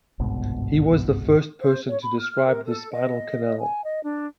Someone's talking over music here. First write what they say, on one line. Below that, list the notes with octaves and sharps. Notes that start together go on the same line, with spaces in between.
He was the first person to describe the spinal canal.
G1 C2 G#2 B2
C5
C#5
B5
F6
A#4
A4
D#5
G#5
D#5
D4